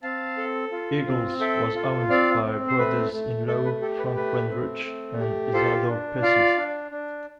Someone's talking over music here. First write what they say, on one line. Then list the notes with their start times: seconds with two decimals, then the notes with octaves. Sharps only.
Eagle's was owned by brothers-in-law, Frank Weindruch and Isadore Pesses.
0.03 C4 F5 A5
0.38 A4
0.72 F4
1.07 C4
1.40 A4 E5 G5
1.75 F4
2.09 C4 D5 F5
2.44 C4
2.67 C5
2.78 A3 B4
3.13 A3
3.47 A3 A4
3.65 B4
3.82 G4 A4
3.98 B4
4.16 A3 B4
4.50 C4
4.85 A3
5.19 G4
5.53 F4 A4 C5
5.89 D4
6.22 F4 D5 F5
6.57 D4
6.91 D4